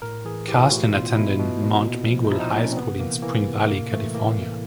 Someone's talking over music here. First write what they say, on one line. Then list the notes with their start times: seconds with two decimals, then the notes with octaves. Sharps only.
Karstens attended Mount Miguel High School in Spring Valley, California.
0.02 A2 A#4
0.25 E3 G#4
0.48 E3 G4
0.57 E4
0.65 F4
0.71 A2 F#4
0.94 B2 F4
1.16 B2 E4
1.39 B2
1.63 B2
1.86 A#2
2.09 F3
2.25 D#4
2.31 F3 E4
2.40 D#4
2.47 D4
2.54 A#2
2.62 C#4
2.72 C4
2.77 C3 B3
2.99 E3 A#3
3.22 E3 A#3
3.46 C3
3.68 A2 A#3
3.92 E3 A3
4.14 E3 A#3
4.38 A2